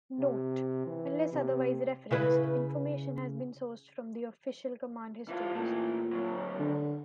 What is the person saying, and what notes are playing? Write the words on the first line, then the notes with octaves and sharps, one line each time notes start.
Note: unless otherwise referenced, information has been sourced from the official command histories.
C3
E3
C3
C#3 E4 B4
E3 F4
A#2 E3 A3
D2 F#3
D3